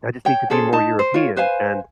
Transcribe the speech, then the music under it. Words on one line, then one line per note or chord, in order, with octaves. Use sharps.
that I just need to be more European and
C#5 G5
C#4 G#4 A4 C5
D#4 A5
C5
F4 C#5
B4 C5 F5 G#5